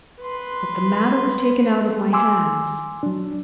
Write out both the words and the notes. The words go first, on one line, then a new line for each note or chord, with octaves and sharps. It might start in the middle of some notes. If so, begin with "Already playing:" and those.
But the matter was taken out of my hands.
B4 C6
G#5 C6 D6 E6
F#3 D4